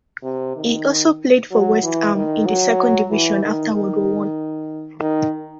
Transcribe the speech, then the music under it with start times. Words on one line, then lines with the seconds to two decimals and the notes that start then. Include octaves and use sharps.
He also played for West Ham in the Second Division after World War One.
0.24 C3
0.56 D#3
1.51 F#3
1.83 E3
2.15 D#3
2.46 F#3
3.11 E3
3.41 D#3
3.73 D#3
5.01 D#3